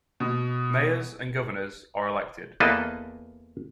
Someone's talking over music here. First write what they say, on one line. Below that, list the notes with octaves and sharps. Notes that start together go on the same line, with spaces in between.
Mayors and governors are elected.
B2
E2 A#3 A4 B4 D#5 A5